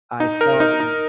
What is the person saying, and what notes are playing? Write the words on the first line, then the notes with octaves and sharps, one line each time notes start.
I saw that,
D#4
A#4
D#4
D#4